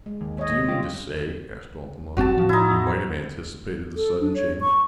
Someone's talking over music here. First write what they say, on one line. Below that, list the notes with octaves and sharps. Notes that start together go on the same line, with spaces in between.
"But do you mean to say," asked Altamont, "that you might have anticipated the sudden change?"
G#3
D#2
C#5 D#5
D3 G3 F4 G4
F#1 G2 C4 F#4 A5
A2 F3
D#4 E4
A4
D4
C#5
C#6